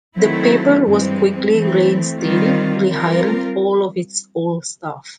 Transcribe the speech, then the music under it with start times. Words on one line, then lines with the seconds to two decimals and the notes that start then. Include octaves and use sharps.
The paper was quickly reinstated, rehiring all of its old staff.
0.16 D#3 F#3 A3 C4 E4
0.85 G2 E3 G#3 C4
1.52 E3 A3 C4
2.19 D#3 G3 C4 F4
2.87 G3 C4 F4 A#4